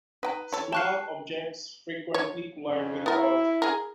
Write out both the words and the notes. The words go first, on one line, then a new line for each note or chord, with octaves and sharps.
Small objects frequently collide with Earth.
D#4 B4 G5 A#5
E3 A4 C#5
G5 A5 C#6 F6 F#6 C7
C#5
F2 C#3
B3 E4 A#4
G#4 A#4